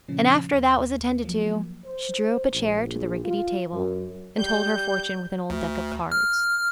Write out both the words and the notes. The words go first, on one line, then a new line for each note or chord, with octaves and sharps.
And after that was attended to, she drew up a chair to the rickety table, and told her fortune with an old deck of cards.
A#2 C#3 F3 C#4
D#2
F3 F#3 A#3
C5
A#1
F4
F#2
G3 G6
D2
F6